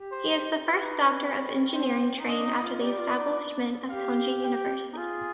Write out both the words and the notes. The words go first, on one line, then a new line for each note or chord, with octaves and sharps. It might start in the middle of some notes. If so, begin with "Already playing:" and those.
He is the first doctor of engineering trained after the establishment of Tongji University.
Already playing: G4
C5
F4 B4
D#4
D4
C4
C5
D#4
D4 D#5
D#4
F4
G4 D5
F4
D#4
D4
G4 F5
G5
D#4
F4 G#4